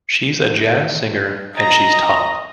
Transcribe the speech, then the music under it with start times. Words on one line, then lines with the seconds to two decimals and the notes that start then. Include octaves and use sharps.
She's a jazz singer and she's top.
1.57 D#5 A#5